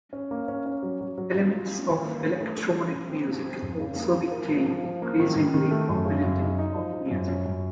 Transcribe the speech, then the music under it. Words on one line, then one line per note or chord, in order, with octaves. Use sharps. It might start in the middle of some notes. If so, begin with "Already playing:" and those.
Elements of electronic music also became increasingly prominent in pop music.
C#4
A#3
C#4
C#4
F#3
F#3
F#3
F#3
F4
F4
D#3
A#3
A3
A3
A4
C#4
F3
C4
F3
C4
F2
C#3
A#3
F3
A#4
F3
F3
F3
A#3
D#3
D#3
D#3
A3
F#2
C#3
F#2
D#4
D#4
F3
F3
F#2
C#4
F#2